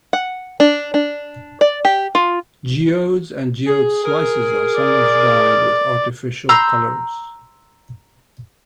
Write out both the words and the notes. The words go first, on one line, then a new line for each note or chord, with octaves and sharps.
Geodes and geode slices are sometimes dyed with artificial colors.
F#5
D4
D4
D5
G4
F4
G#4
G#4 A#4
D5
A#5 C6 E6 G6